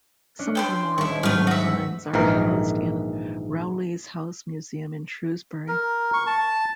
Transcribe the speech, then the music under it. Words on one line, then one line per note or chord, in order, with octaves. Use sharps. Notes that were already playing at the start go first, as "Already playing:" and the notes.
Some of the more important finds are housed in Rowley's House Museum in Shrewsbury.
C#4 D4
G5 A5 C6
D#1 E4 C#6
G#2 F#3 G3 A3 F6
F#4 E5
A#1 G#2 D#3 E3 A#4
A#4
C#6
A5